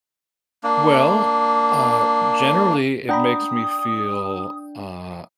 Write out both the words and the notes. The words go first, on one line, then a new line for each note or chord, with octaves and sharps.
Well, uh, generally, it makes me feel, uh,
A#3 D4
D4 F#5 G5 A#5 B5 D#6